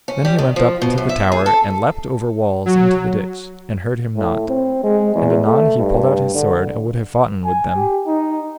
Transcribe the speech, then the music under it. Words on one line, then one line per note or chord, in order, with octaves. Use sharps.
Then he went up into the tower, and leapt over walls into the ditch, and hurt him not; and anon he pulled out his sword and would have foughten with them.
C#4
G3
D#3
F3
B2
F#2
E5
G#4
A4
F#3
A2
C4
G#3
E2
A3
G2
D3
G#5
G4
D#4